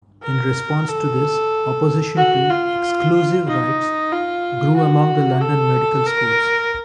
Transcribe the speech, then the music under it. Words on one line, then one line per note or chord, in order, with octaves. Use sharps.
In response to this, opposition to "exclusive" rights grew among the London medical schools.
A#4
A4
F#4
F4
D#4
F4
F#4
A4
A#4